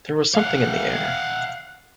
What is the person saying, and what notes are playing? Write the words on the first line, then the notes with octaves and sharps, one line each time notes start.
There was something in the air.
F5 F#5